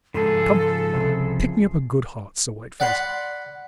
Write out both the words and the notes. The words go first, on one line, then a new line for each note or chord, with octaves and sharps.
Come, pick me up a good heart, Sir White-face.
G#2 C#3 F3 G#4 A4
C2
D5 F#5 B5 C6